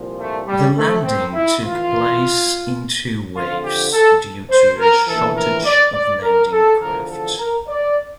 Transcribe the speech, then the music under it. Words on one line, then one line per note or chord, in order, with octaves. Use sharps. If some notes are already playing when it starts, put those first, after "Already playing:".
The landing took place in two waves due to a shortage of landing craft.
Already playing: C2 A#2 F3
A3
G3
A3
C4
E4
F2 E3 F4
F2 D3 F3 F4
G4
A4
C5
A#4
A#1 A2 E3 A4
A#4
D5
D5
A#4
A4
E2 D3 F3 A#4
A4
A#4
D5